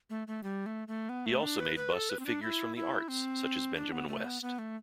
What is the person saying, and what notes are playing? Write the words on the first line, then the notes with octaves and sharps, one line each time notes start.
He also made busts of figures from the arts such as Benjamin West.
A3
A3
G3
A3
A3
B3
A3
D4
B4
B4
A4
B4
C4
D4
E4
E4
C4
D4
B3
A3
B3
B3
A3